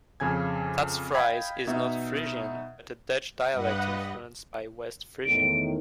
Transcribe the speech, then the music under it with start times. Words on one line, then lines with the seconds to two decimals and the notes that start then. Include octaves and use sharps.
Stadsfries is not Frisian, but a Dutch dialect influenced by West Frisian.
0.20 F2 C#3 G#5 G#6
1.14 D#5 F5 G5 B5 G#6 B6
1.67 B2 D#4 E5
3.52 G2 G3 B4 D#5 F#5
5.25 E2 A2 D#3 D7